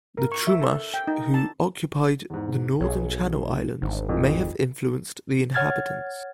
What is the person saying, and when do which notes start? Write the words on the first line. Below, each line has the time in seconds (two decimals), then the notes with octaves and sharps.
The Chumash, who occupied the northern Channel Islands, may have influenced the inhabitants.
0.17 A#4
0.32 C#6
0.47 E5
0.62 A4
0.94 G5
1.07 D#4
1.34 A5
2.30 E2 G#2
2.81 B1 G#4 C#5
3.82 G#1 D2 D3
4.09 F2 A2 D#3 E3
5.54 C#5 F#5 F6 G#6 A6